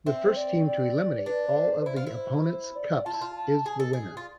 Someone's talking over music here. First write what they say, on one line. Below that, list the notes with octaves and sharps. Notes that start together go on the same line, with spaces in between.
The first team to eliminate all of the opponent's cups is the winner.
C4 E5
C5
D5
D5
D4 B4
D5
C5
B4
E4 C5
F4
E4
C5
C5
D5
F4 A5
E4
F4
A5
G#4
A4
G#4
F4